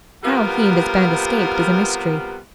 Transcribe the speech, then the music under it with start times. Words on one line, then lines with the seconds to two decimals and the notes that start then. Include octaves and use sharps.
How he and his band escaped is a mystery.
0.23 C3 G3 B3 F4 A#4 F#5